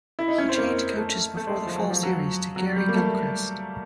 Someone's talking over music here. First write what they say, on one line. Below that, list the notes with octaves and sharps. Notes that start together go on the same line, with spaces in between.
He changed coaches before the fall series to Gary Gilchrist.
E4
D#4
C#4
C4
A#3
A3
A3
G#3
F3
F#3
F3
F#3
F#3
G3
A#3
A3